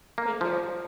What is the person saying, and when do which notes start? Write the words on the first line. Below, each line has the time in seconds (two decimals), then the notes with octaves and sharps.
Take care.
0.18 A#3
0.41 F3